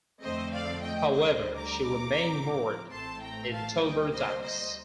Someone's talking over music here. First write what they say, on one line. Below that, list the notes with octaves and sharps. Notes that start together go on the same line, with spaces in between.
However, she remained moored in Tilbury Docks.
F2 D3 A3 C4 C5 D#5
D5 F5
D#5 G5
D2 D3 G3 C5 D#5
A#5 D6
A2 F3 C4
A1 A2 A3 C4 A5 C6
G5 A#5
F5 A5
D2 C3 G3 A#3 D#5 G5
C5 D#5
C5 D#5